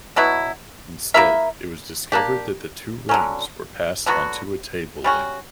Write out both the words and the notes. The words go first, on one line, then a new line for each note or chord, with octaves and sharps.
Instead, it was discovered that the two rings were passed onto a table leg.
B2 F#3 B3 E4
A#3 E4 A#4 E5
A#3 D4 G4
D3 F#3 C#4
D3 F#3 B3 F#4
G3 C#4 F#4